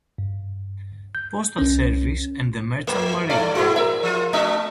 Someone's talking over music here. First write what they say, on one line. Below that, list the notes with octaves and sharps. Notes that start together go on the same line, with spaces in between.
Postal Service and the Merchant Marine.
G2
G6
C2 C#4
F#2 A3
G2 A3 E4 D5
G#2 F3 G#3 B3 E4 F#4
G#4 A#4 E5
F3 F4
A3 C#4 D4 F#4 E5